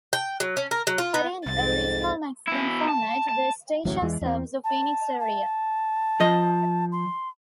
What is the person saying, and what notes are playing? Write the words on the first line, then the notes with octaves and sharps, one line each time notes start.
Carrying a Regional Mexican format, the station serves the Phoenix area.
G5
F#3
C#4
A#4
F#3
F4
B3
C2 F2 G#2 A6
B2 E4
A5
A5
D1 A1 A2 F#3
E2 E3 G#3
E2 C4
A5
A5
F3 D#5
C6